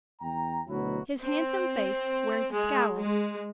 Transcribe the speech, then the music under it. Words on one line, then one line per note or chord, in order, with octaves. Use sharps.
His handsome face wears a "scowl."
E2 G5 A#5
D2 B2 F#3 E4 F#4
C4
G#3
G#3